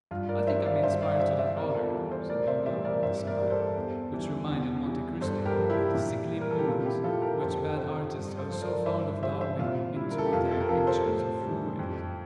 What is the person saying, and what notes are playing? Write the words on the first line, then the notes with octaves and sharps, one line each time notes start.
"I think I may aspire to that honor," said Danglars with a smile, which reminded Monte Cristo of the sickly moons which bad artists are so fond of daubing into their pictures of ruins.
G2 F4
A#4 D5
E3 G3 C5 E5
D5 F5
G2 C5 E5
D5 F5
E3 G3 C5 E5
C5 E5
E2 A#4 D5
F4 A4
E3 G3
A4 C5
A2 A#4 D5
C5 E5
E3 G3 C5 E5
A#4 D5
G2 C5 E5
A#4 D5
E3 G3
A4 C5
E2
E3 G3
E2
E3 G3
G2 A4 C5
G4 A#4
F3
E4 G4
A#2
G3
A#4
A4
G4
A#2 F4
E4 G4
F3 F4 A4
G4 A#4
F2 A4 C5
C3 F3 A4 C5
G2
A4 C5
F3 C5
A#4 D5
G2 C5 E5
E3 G3 C5 E5
C5 E5
A#2 F4
G3 E4
A#4
A4
G4
F2 F4
F4 A4
A#4
C3 F3 F4 A4
A4 C5
A2
E3 G3
F2